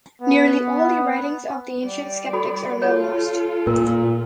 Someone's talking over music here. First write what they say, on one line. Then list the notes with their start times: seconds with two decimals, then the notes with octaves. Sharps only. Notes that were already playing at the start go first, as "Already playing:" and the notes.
Nearly all the writings of the ancient skeptics are now lost.
0.21 B3
1.83 G3 D5
2.33 F#4 A4 B5
2.82 F4 A4 C#5
3.67 A#2 A#4